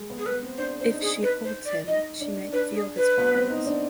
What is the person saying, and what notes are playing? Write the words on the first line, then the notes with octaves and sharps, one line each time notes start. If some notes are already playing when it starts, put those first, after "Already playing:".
If she holds him, she might feel his arms.
Already playing: G#3
B3
G#4
B3 B4
C4
D4 C5
D4 C5
D#4
G#4
B4
C5
D5
D#4 D#5
D4
D4 B4
G#4
B4
B3
C4
D#4
D4